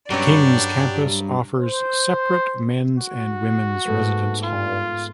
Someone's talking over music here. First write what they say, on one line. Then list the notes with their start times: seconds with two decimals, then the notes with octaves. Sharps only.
King's campus offers separate men's and women's residence halls.
0.10 G2 F#3 C#4 D4 G4 C#5 D5
1.58 C5
2.98 F#4
3.85 G#2 A3 B3
4.43 F4